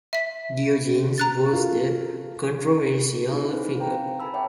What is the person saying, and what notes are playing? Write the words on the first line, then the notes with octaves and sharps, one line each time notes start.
Diogenes was a controversial figure.
E5 B6
A#5 F#6 A6
F4 F#4 A4 A#4
D#4 E4 G#4 G#5
C4 E4 A4 B4 C5
C5 F5 G5 A#5
A4 B4 G#5 A5 B5 E6
C#5 E5 F#5 G5 A5 D6